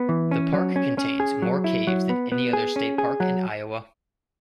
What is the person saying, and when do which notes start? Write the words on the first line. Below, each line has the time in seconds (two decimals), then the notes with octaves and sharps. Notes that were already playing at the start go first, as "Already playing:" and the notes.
The park contains more caves than any other state park in Iowa.
Already playing: B3
0.09 E3
0.31 C#4
0.53 F#3
0.76 C#4
0.98 C#4
1.20 G#4
1.42 F#3
1.64 E4
1.87 F#3
2.09 B3
2.32 B3
2.53 G#4
2.76 C#4
2.98 G#4
3.20 F#3